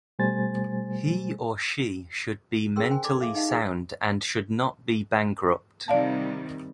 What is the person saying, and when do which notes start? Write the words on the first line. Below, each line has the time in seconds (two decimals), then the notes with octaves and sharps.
He or she should be mentally sound and should not be bankrupt.
0.19 B2 G3 A3 C5 G#5 A6
2.76 C#4 G#4 A#4 G5 C6 E6
2.91 C5 G5 G#5 C6
3.04 A4 D5 A5 C6 D6
3.21 E5 F5 D6
3.35 D#4 D#5 F5 A5
3.49 G#4 G#5
5.88 C3 D#3 G3 D5 F5 A5